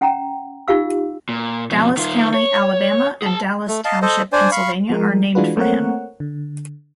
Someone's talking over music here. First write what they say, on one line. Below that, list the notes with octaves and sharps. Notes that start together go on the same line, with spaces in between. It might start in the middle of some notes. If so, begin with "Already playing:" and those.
Dallas County, Alabama and Dallas Township, Pennsylvania are named for him.
C#4 F#5 G5 A#5
D#4 F4 G4 F5 E6
A#2
F2 B2
D#3 F4
C#5
G#4 A5
A3
D#5 F5 A5
A4 C5 D#5
D4 C5 D5 G#5
F5 B5 C#6
F3 G#3 A#4
E3 G#3 D4 F4 F#4 B4
A3 A#3 C4 A#4 C#5 F#5
D3